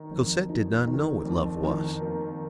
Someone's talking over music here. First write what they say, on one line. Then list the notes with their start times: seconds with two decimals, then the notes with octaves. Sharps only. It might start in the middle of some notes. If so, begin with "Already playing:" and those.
Cosette did not know what love was.
Already playing: D#3 D#4
0.11 F2
0.49 D#4
0.87 D#3
1.25 F2
1.64 D#3
2.01 A#3